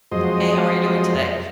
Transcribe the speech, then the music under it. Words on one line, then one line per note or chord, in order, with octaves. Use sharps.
Hey, how are you doing today?
F2 F#3 G#3 C5 D#5